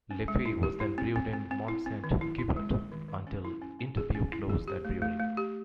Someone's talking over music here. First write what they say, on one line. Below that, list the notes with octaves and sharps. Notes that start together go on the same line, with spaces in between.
Leffe was then brewed in Mont-Saint-Guibert until Interbrew closed that brewery.
C#4
G#3
E4
G4
E4
C4
C4
C4
C4
E4
C4
D#3
E4
E4
G#3
G#3
D#3
D#3
C#4
E4
C#4
C#4
G#4
C#4
E4
G#4
G4
A3
A3
A3
G4